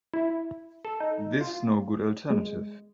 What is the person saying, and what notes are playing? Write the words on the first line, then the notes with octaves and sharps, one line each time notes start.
This no good alternative.
E4
A4
D#4
F4
G#3